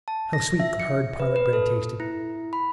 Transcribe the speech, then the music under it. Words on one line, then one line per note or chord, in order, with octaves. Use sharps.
How sweet the hard pilot-bread tasted!
A5
A#6
E5
C#7
B4
B4
A4
E4
B5